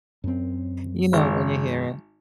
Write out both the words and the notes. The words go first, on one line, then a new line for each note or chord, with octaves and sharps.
You know it when you hear it.
F#2 C4
G#1